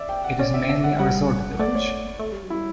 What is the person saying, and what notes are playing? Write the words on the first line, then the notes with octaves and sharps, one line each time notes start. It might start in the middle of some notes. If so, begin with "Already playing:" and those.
It is mainly a resort village.
Already playing: D5 E5
G5
F#5
C#4 D5
E5
E5
F#5
G3 F#5
A3 D5
B3
A3 C#5
A3
G3
F#3
E4
G3